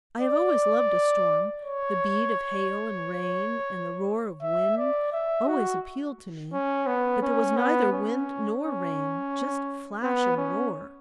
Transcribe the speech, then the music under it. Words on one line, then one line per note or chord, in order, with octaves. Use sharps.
I have always loved a storm; the beat of hail and rain, and the roar of wind always appeal to me; but there was neither wind nor rain,--just flash and roar.
D5
C#5
E5
D5
E5
F#4
C#4
B3
C#4
B3
C#4
C#4
B3
C#4